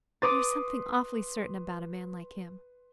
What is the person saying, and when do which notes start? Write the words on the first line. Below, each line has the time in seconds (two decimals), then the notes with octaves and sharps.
There is something awfully certain about a man like him.
0.22 B4 C6 D6 D#6 A6